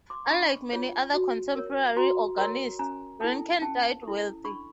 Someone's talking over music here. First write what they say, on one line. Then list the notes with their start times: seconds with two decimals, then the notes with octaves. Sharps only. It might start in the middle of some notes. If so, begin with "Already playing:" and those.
Unlike many other contemporary organists, Reincken died wealthy.
0.10 C6 D6
0.30 D4 B5 C#6
0.72 F4 G#4 C#5
1.14 F#4
1.55 A#4 C#5
1.96 F#4 A#5 C6
2.38 A#4 C#5 A#5 C6
2.79 C#4 G#5 A#5
3.20 E4 A4 G5 A5
3.62 C#4 G5 A5
4.03 E4 A4
4.44 D4 B5 C#6